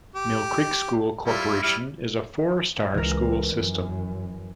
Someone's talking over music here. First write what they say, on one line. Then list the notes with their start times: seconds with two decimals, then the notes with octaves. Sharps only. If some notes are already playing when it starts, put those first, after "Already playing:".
Mill Creek School Corporation is a four-star school system.
0.15 G4
1.26 G3 E4 F4
1.63 G3 E4 F6
2.94 C#2 E3 A#4
3.55 F#2